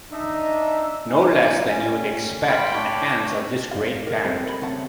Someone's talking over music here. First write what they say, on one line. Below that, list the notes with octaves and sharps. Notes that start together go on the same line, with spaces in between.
No less than you’d expect in the hands of this great band.
D4 D#4 E5
C#4 D#4
G3 C#4
G3 F4 G5 B5 C6 G6
D4 C#5
D5 F5
G4 A#4
G3 C4 G4 A4 C5 D#5
A#4 B5
C#3 G3 A3 C4 F#5 A5